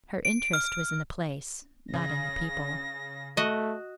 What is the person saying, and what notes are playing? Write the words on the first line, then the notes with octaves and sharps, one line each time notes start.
Her interest was in the place, not in the people.
D7
F6
C#3 A#6
A3 F#4 D#5